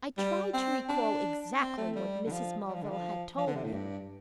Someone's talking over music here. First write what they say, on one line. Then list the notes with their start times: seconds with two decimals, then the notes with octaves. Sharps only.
I tried to recall exactly what Mrs. Mulville had told me.
0.18 G3
0.54 C4
0.89 D4
1.60 C4
1.77 A3
1.96 G3
2.26 D3
2.32 F3
2.67 G3
2.74 F3
2.82 D3
2.91 F3
3.37 F3
3.47 D3
3.56 C3
3.64 A2
3.73 G2